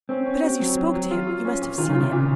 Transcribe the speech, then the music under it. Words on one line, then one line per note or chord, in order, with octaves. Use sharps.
"But as you spoke to him you must have seen him."
C4 C#4
C#4
F#4
F#3
F#3
F#3
F4
F4
C#4
A#2
D#3 F4
C#3
F4
C3
A#2 C#3